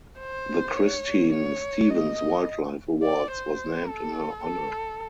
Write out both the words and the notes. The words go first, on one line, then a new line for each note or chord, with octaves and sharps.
The Christine Stevens Wildlife Awards was named in her honour.
C5
C#5
C#5
D#5
D5
C5
A4
A4